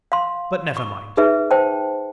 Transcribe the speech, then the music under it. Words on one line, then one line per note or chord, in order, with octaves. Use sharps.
But never mind!
F5 C6
C#6
D#4 G#4 B4 E5
C5 G5 A5